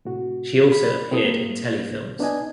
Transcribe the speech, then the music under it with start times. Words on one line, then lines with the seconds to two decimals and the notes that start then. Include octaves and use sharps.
She also appeared in telefilms.
0.05 A2 C3 F#4
0.72 B5
1.11 C4 E4 A4 D#6
1.24 A#3
1.90 C#2 A2
2.19 B3 D4 D#4 D#5 G#5